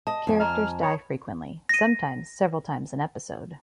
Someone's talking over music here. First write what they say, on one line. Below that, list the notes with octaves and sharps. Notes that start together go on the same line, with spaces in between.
Characters die frequently, sometimes several times an episode.
D#5 A5
F2 G#5
D#5 A#5 C#6 F6
C5 C#5 B5 D#6
A#6 D#7